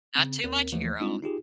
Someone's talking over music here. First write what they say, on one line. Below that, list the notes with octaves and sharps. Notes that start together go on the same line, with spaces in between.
not too much of your own."
C#3 C4
D#2 C4 A#4
D#2 E3 F3 A3
G3 G#3 C4 D4 D#4 F4
D#4 F4 G4 G#4